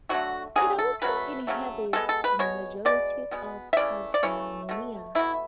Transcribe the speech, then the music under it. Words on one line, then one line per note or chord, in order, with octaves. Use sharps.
It also inhabits a majority of Tasmania.
D3 F#3 A3 F#4
D3 F#3 A3 G#4
A4
C#3 F#3 A3 B4
C#3 F#3 A3
B2 G#3 B3 A4
A4
B4
B2 G#3 C#5
B2 G#3 D5
B2 G#3 B3
E5
C#3 E3 A3 D5
D5
C#3 E3 A3 C#5
B2 A3
B2 A3 E4